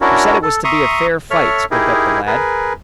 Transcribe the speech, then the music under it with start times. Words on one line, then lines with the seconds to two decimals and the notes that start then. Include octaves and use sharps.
"You said it was to be a fair fight," spoke up the lad.
0.01 C#4 D4 E4 F#4 A#4
0.42 A4
0.64 E5 A#5 C6 C#6 D#6
1.31 A4 C#5 E5 F6
1.71 D#4 E4 G4 G#4 A#4
2.27 G#4 A#4 B4